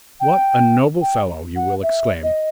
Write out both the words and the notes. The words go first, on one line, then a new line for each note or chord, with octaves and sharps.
"What a noble fellow!" you will exclaim.
G5
G5
F#5
E5
D#5